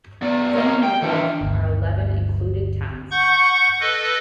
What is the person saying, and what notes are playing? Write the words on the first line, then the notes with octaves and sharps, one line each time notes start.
Within Unigov are eleven "included towns".
B3 D5
A#4 C#5 D#5 F5 A#5
G5
E3 A3 D4 F4
G1 D2
F#5 C#6 G6
A4 B4 D#5